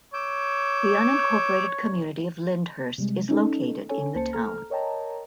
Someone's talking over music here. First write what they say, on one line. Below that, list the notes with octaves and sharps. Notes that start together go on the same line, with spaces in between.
The unincorporated community of Lyndhurst is located in the town.
C#5 D6 E6 G6
C3 G3 G#3
C#4 D#4 A4
C#4 A4 C#5 G#5
C#2 A#3 C5 A5 C#7
A4 A#5 F6
A#4 C#5 D#5 G5 A5 A#5